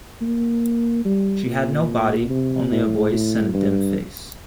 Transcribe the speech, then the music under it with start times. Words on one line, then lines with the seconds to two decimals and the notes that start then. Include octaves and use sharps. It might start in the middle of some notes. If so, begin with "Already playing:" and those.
She had no body, only a voice and a dim face.
0.21 A#3
1.05 G3
1.46 A#2
2.30 C3
2.71 A2
3.12 A2
3.54 G2